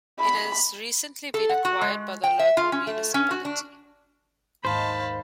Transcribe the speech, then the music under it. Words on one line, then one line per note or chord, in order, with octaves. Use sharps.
It has recently been acquired by the local municipality.
B5
A4
F#5
F#4
G#3
G5
E5
F4
C#4
A3
C#4
F#4
D4
D#2 G#2 C5 F5 A5 B5